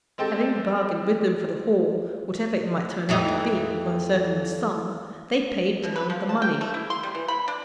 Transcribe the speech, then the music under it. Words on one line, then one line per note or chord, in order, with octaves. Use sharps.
Having bargained with them for the haul, whatever it might turn out to be, for a certain sum, they paid down the money.
G#3 C4 G4 A4
F2 E3 D#4
B2
B4
F3
A5
G5
A3
E4
C6
G3
E3
B5
D4